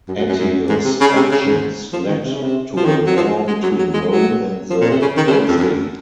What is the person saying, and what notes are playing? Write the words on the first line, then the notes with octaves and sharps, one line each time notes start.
Attius' actions led to a war between Rome and the Volsci.
F#2
F#2
F#2
F#2
G#2
C3
C#3
C3
C#3
G#2
F3
D#3
C3
C#3
C3
F3
D#3
F#3
F3
G#3
F#3
F#3
G#3
F#3
F3
A#2
C3
C#3
D#3
C3
C#3
F2
F2
F#2